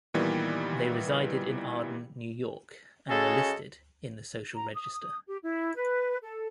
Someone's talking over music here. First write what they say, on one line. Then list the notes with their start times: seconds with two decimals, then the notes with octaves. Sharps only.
They resided in Arden, New York and were listed in the Social Register.
0.14 A#2 D#3 E3 G3 B3
3.09 C#3 G#3 C#4 F#4 G#4 A4
4.54 A#5
4.74 D#6
5.26 G4
5.42 E4
5.75 B4
6.22 A4